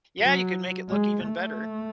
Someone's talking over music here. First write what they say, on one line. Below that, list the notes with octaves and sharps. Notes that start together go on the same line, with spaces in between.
Yeah, you could make it look even better.
F#3
G#3
A3